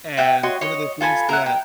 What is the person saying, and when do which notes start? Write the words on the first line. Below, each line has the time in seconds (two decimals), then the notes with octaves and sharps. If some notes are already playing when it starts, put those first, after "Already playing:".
and, one of the things that
0.17 E5 F#5 G5
0.43 F#4 C#5 D#5 C6
0.61 C#5 D#5
1.01 F4 A4 G#5 B5
1.29 A#4 E5 F#5
1.46 A#4 G5